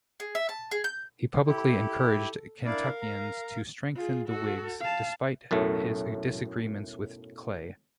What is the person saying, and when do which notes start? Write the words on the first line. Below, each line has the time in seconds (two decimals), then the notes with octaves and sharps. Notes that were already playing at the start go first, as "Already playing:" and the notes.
He publicly encouraged Kentuckians to strengthen the Whigs, despite his disagreements with Clay.
0.20 G#4
0.35 E5
0.49 A5
0.71 G#4
0.84 G6
1.47 E4 G4 A4
2.66 D4 E4 A#4 D5 F5
3.02 A#5
3.95 F4 G#4
4.29 F#4 A4
4.80 F5 A5
5.51 B1 F#2 A2 A3